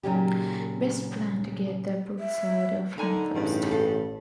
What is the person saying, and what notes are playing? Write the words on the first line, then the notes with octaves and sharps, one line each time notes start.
Best plan to get the books out of him first.
A#2 C#3 F#3 C#4 D#4 G4
E5
D3 D#4 A#4 G#5 A#5
A1 G2 C#3
A4 F5